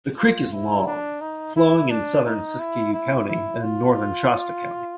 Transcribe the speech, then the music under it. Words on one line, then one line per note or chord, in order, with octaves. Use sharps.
The creek is long, flowing in southern Siskiyou County and northern Shasta County.
F4
E4
D4
D#4
E4
D4
D#4
E4
E4
E4
F4